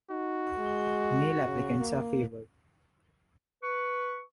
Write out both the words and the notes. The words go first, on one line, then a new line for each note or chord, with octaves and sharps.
Male applicants are favored.
D#4 F#4
G#3
C#3
A#3
B4 C#6